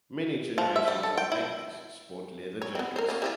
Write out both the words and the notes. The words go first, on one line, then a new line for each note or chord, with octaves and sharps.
Many generations of Aggies sport leather jackets.
F3
E5
G3
A4
G5
E4
C#5
B3 C4
A#4 C5
A#3 C#4 F4
G3 E4 F4